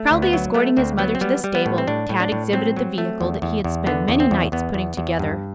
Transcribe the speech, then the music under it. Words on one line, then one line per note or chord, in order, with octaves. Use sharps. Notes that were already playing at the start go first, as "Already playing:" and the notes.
Proudly escorting his mother to the stable, Tad exhibited the vehicle that he had spent many nights putting together.
Already playing: A3
D2
B3
F#3
A3 B3
D2 C4
F#3 B3
C4
G3 B3
G3
B3
A2
C4
A2 D4
A2
D4
A2
F#3 C4
F#3
A3
E2
E2
E2
D3 B3
E2
C4
E2
E2 B3
E2
E2
G2